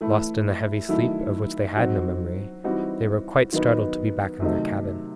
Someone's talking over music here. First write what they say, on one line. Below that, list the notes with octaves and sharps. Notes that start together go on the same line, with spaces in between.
Lost in a heavy sleep of which they had no memory, they were quite startled to be back in their cabin.
E3 A3 E4
D#3 F#3 A3 E4
F#3 C4 D#4 F#4
E3 G3 C4 D#4 F#4
D#3 F#3 B3 D#4
C3 D#3 F#3 A3 D#4